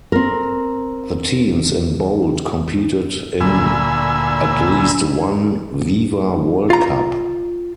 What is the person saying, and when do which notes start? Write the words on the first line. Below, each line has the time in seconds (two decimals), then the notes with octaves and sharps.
The teams in bold competed in at least one Viva World Cup.
0.12 C4 A#4
3.40 D2 A#2 G#5 B5 E6
6.70 F4 A#5